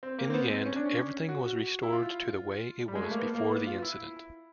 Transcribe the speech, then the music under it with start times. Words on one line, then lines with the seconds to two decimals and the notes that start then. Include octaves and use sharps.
In the end, everything was restored to the way it was before the incident.
0.03 C4
0.18 A#3
0.30 C4
0.34 B3
0.50 C4
0.66 C#4
0.76 D4
0.85 C#4
1.29 F#4
1.46 F#4
1.83 E4
1.93 F4
2.88 G3
2.95 G#3
3.04 A3
3.11 A#3
3.19 B3
3.35 A#3
3.51 B3
3.67 F4
3.82 E4